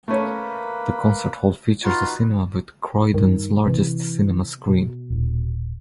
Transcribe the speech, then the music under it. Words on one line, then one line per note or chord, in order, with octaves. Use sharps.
The Concert Hall features a cinema with Croydon's largest cinema screen.
A3 A#3 C#4 B4
D#4 F4 F#4 B4
G2 D#3
C3 E3
B2
D#1